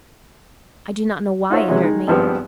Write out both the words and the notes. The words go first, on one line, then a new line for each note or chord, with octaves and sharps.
I do not know why it hurt me.
D#4 F4 F#4 C5 C#5 E5
C3 E3 F#3 G#3 C#4
D#3 G#3 D#4
G#1 G2 F3 B3 G4 B4